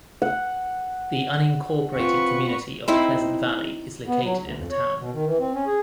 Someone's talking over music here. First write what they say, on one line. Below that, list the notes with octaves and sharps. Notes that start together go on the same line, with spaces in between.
The unincorporated community of Pleasant Valley is located in the town.
F#5
C4 F4 B4 C#6
C4 D#4 E4 C5
B3
F#3
D2
F2
C#5
B2
D#3
E3
C4
C#4
G#4